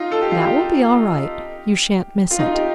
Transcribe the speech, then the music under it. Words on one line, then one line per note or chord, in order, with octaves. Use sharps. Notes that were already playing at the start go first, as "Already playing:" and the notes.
That will be all right; you shan't miss it.
Already playing: D#4 F4
A4
G4
F4
G4
F4
D#4
F4
G4